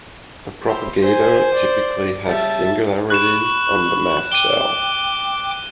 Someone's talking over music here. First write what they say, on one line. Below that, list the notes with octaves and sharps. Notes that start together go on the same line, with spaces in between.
The propagator typically has singularities on the mass shell.
E4 G4 C5 C6
C5 G#5
D5
C#3 G3 E5 A5
B5 C#6 F#6 E7
G5 D6 D#7 G7